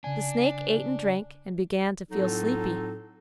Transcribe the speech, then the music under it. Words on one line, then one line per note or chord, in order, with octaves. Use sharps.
The snake ate and drank, and began to feel sleepy.
C#3 D4 G#5
A2 F#3 C4 D#4 F4 A4